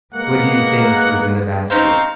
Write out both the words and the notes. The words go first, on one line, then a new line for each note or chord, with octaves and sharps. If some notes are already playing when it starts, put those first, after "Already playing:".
What do you think was in the basket?
G#3 A#3 B3 A#4 F#5
C4 C#4 D#4 C5 F5